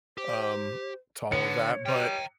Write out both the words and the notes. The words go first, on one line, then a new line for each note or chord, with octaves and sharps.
um, to all of that, but
G4 C5
D3 B3 C#5 C#7
G3 G5 A#5